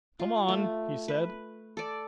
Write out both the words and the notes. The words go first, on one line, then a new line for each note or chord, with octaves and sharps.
"Come on!" he said.
F4
A3
B4
A4 D5